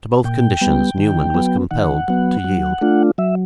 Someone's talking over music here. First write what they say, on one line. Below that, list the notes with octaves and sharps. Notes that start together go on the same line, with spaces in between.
To both conditions, Newman was compelled to yield.
A#2 G5
G3 B3
D#3
F#3 B3
D#3 F#5
F#3 B3
F#3
A3 D4 F4
F#3 E5